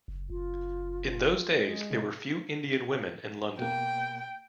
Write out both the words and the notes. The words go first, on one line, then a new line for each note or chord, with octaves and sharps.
In those days there were few Indian women in London.
F#1
F#1 F4
G#3
C3
B2 A#3 G5